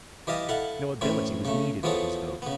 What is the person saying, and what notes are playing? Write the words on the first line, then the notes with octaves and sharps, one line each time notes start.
No ability was needed for his vote.
E3 G4 D#5 F5 A5
E4 A4 F5 F#5
A2 E3 C4 C#4 E4
C#3 A3
E3 F3 B3 G#4 A4 C#5
C#3 B3